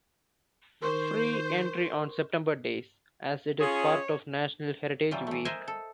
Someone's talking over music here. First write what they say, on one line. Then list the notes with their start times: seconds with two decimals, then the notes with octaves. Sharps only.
Free entry on September days as it is part of National Heritage Week.
0.82 D#3 A#4 C5 C6 C#6
3.61 C#4 F4 G#4 C#5
5.11 E3 F#3 G3 F4
5.27 E3 A3
5.45 A#4 C5 D#5 E5 G#5 A#5
5.68 A4